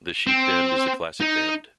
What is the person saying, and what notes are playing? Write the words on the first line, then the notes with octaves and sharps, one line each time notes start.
The sheet bend is the classic bend.
C4
D#4